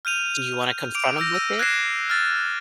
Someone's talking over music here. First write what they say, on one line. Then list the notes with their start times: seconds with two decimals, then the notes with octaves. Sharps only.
Do you wanna confront him with it?
0.05 F6 G6 D#7 F7
0.95 D6 D7 F7
1.17 D6 E6 G6 A#6
1.34 E6 D#7
1.59 F#6 G#6 A#6 C7 E7
2.10 F6 A6